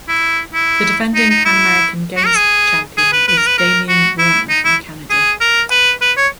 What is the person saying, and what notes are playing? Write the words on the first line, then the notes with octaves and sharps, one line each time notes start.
The defending Pan American Games champion is Damian Warner from Canada.
E4
E4
D#4
D#4
E4
F#4
A#4
G#4
G#4
B4
B4
A#4
B4
A#4
F#4
E4
D#4
E4
G#4
A#4
B4
B4
C#5